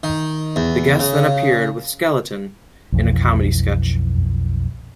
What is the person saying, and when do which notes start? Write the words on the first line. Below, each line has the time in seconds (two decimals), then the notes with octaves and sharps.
The guest then appeared with Skelton in a comedy sketch.
0.03 D#3
0.56 E2
0.99 C#3
2.92 B1 F2 E3